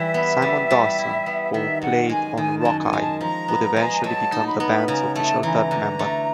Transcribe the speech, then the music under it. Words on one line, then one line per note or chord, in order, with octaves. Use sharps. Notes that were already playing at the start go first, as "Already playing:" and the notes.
Simon Dawson, who played on "Rockeye", would eventually become the band's official third member.
Already playing: E3 G3 E5
B3
G3
G3
E4
B3
D#3 E5
F#2 F#5
G#3 G#5
D#3 G#5
A5
F#2
G#5
G#3
A5
F3 A#5
B3
G#3
G#5
F#3 A5
D#4
B5
B3 A#5
B5
C#3 A#5
A3 A5
E3 A#5
D3
A3